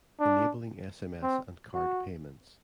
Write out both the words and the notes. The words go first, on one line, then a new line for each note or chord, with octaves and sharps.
Enabling sms and card payments.
D4
C4
F#4